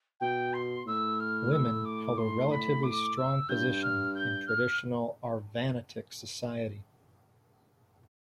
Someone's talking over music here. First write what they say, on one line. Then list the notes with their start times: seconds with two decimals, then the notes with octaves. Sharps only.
Women held a relatively strong position in traditional Arvanitic society.
0.20 B2 G5
0.53 C6
0.86 A2 E6
1.20 F6
1.52 E6
1.85 D6
2.18 C6
2.51 B5
2.83 D6
3.17 E6
3.49 G2 G6
3.82 F6
4.15 G6
4.47 F6